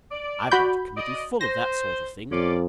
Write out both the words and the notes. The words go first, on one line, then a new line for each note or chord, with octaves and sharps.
I've got a Committee full of that sort of thing.
D5
F#4 B5 G6
D5 D#5
C5 A#6
F2 C#4 F4 D5